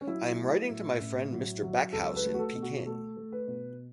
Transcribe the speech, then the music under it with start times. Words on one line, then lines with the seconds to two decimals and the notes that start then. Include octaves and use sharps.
I am writing to my friend Mr. Backhouse in Peking.
0.01 C#4
0.07 F#3 E4
0.38 A3
0.69 A2
1.00 A1
1.32 F#3
1.62 F#3
1.93 C#2 A4
2.16 B4
2.24 A3
2.34 F#4
2.39 A4
2.55 B2
2.62 F#4
2.86 A3 A4
3.17 A3
3.32 B4
3.48 B2